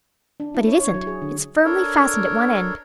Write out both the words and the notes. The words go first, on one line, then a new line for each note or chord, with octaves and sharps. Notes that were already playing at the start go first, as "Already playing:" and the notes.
But it isn't--it's firmly fastened at one end.
D4
E4
C#5
C#5
F#3
G#4
D3
D4 A4 A#4 C#5